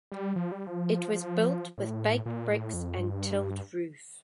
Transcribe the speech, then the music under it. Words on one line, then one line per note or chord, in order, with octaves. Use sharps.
It was built with baked bricks and tilled roof.
G3
F3
G3
F3
A2
A#2
A2
F2
G2